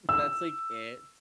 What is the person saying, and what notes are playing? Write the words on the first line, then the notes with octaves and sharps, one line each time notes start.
that's, like, it.
E6